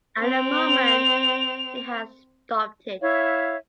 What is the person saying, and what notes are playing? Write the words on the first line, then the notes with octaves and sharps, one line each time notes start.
At the moment, he has stopped it!
C4 F7
E4 C#5 E5 F5